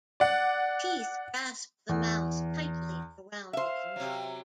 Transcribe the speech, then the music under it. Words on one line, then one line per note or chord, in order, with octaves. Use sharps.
Teeth grasp the mouse tightly around its neck.
D5 F#5
E2
C5 E5 F5
C3 F#3